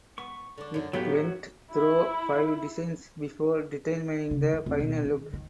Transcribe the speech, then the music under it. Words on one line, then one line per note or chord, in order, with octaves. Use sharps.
It went through five designs before determining the final look.
B3 C#6
D3 D4
F#2 D3
A2 F#3 A#3 B3 D#4 G4
F#4 C#5
E4
C#3
E3
D#1
B2
D#3
D#3